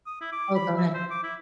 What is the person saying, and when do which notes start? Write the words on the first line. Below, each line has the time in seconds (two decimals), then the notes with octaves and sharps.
Oh, go ahead.
0.06 D#6
0.21 E4
0.32 D6
0.55 B5
0.77 E5
0.94 C5
1.11 D6
1.23 E4